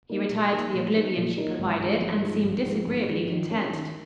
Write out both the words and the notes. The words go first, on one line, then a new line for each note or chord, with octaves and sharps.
He retired to the oblivion she provided and seemed disagreeably content.
A#3 D#4 A#4
A#2
A#3 D#4 A#4
A#2
A#3 D#4 A#4
A#2
A#3 D#4 A#4
G#1
G#2 F3
G#1
G#2 F3
G#1
G#2 F3
G#1
G#2 F3
D#3
C#4 A#4
D#3